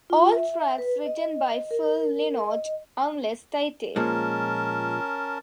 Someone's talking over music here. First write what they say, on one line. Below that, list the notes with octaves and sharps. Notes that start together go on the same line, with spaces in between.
All tracks written by Phil Lynott unless stated.
F4
E5
B4
D#5
A#4
D#5
A#2 F3 G#3 C#4 A#4 A5